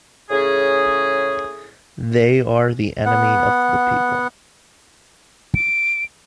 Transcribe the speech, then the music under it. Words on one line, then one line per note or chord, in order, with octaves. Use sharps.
They are the enemy of the people.
A2 C#3 G#4
B3 F#5
D7